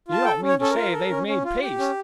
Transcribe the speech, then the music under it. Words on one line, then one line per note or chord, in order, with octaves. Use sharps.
"You don't mean to say they've made peace?"
F4 A5
A4 G5
C#4
C#5
C#4 A4
A#4
F4
A4
C#4
C#4
F4
G4
C#4